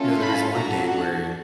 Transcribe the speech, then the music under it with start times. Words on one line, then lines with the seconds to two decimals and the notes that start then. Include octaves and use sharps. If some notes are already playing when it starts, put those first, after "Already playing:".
you know, there was one day where he
Already playing: A3 C#4 F4 A4
0.22 B5
0.54 D4 F#4 A4 A#5
0.87 F#5